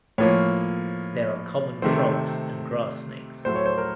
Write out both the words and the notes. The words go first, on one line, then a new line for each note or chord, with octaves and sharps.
There are common frogs and grass snakes.
A2 F3 A#3 C#5
C3 D#3 A3 C4 C5
A2 F#3 A3 C5
C#5
C5
A#4